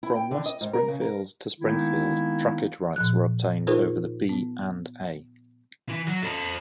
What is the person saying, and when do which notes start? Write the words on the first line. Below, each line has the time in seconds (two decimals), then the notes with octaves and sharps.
From West Springfield to Springfield, trackage rights were obtained over the B and A.
0.03 E4
0.15 G5
0.31 D3
0.46 D#5
0.61 G#2
0.73 A#4
0.88 C#3
1.01 A#4
1.59 D#3 G#3 A#3 B3 D#4 E4
2.96 A#2 F3 F#6
3.67 D#4 F4 G#4 A#4 C5
4.29 B3
5.89 E3
6.08 F#3
6.23 A4 C5